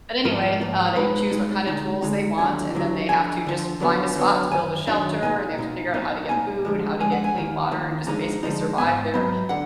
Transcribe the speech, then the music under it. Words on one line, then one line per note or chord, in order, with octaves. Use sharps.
but anyway, uh, they choose what kinda tools they want and then they have to just find a spot to build a shelter and they have to figure out how to get food, how to get clean water, and just basically survive there,
G#2 F3 A#3 F4 A#4
G#2 F3 A#3 F4
B2 G#3 D#4 B4
B2 G#3 D#4
D3 G#3 D#4 A#5
D3 G#3 D#4
D#2 D3 F#3 G#5
D#2 D3 F#3
D2 D3 F3 G#5
D2 D3 F3
D3 F#3 B3
D3 F#3 B3
F#2 D#3 G#5
F#2 D#3 F#3 D4
B2 A#3 D#4 G#5
B2 A#3 D#4
B1 B2 A#3 D#4 A#5
B1 B2 A#3 D#4 G#5
D3 F3 G#3
D3 F3 G#3 G#5
F#5
G#5
D#2 D#3 A#3
D#2 D#3 A#3
D3 F3 G#3 D#4 A#5
D3 F3 G#3 D#4
G#2 F#3 B3 G#5
G#2 F#3 B3
D3 F#5